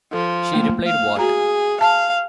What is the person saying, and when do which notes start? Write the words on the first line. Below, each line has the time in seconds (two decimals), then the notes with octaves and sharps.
She replied: What!
0.13 F3 A4
0.53 A3 A#3
0.87 F5
1.19 F#4 G#4 A#5
1.81 F5 A5